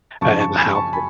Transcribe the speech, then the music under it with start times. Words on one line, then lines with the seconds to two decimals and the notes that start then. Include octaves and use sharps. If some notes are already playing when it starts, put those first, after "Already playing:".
uh, in the house
0.21 F#2 C#3 F3 A5 C#6
0.40 A5 C#6
0.57 G#5 B5
0.75 A5 C#6
0.93 G#5 B5